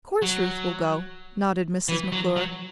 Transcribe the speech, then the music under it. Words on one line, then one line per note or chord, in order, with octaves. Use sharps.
"Of course Ruth will go," nodded Mrs. McClure.
F#3
E3
F#3
F#3